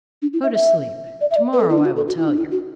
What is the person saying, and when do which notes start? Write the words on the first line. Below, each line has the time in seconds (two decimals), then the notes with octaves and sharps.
Go to sleep; to-morrow I will tell you.'
0.22 D4
0.33 E4
0.43 E5
0.54 E5
1.21 D5
1.31 E5
1.36 D5
1.53 B4
1.61 A4
1.69 E4
1.78 D4
1.85 F#4
1.96 A4
2.08 F#4
2.18 E4
2.28 D4
2.38 E4
2.51 F#4